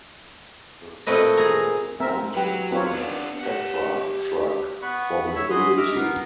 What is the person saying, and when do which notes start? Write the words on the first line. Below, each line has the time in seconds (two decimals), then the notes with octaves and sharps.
The system is mounted on a Tatra truck for mobility.
1.07 A#2 A3 C4 B4 D#5
1.37 G#4 A#5
2.00 C4 A#4 E5
2.35 F#3 E4 G4 B4
2.72 C4 F4 B4 C#5
2.91 B3 D4
3.41 G4 F#5
4.82 B3 B4 B5 C#6
5.35 C#5 E5
5.50 F#4 G#4 B5 C6 D#6
5.78 D#5 E5 D6 F6
5.95 B3 A#4